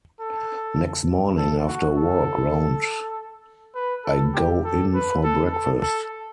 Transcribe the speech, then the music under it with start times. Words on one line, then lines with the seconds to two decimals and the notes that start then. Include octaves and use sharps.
Next morning after a walk round I go in for breakfast.
0.20 A4
1.37 A4
1.68 F#4
1.98 A4
3.75 B4
4.05 A4
4.34 G4
4.64 A4
4.94 B4
5.24 A4
5.52 A4
5.82 A4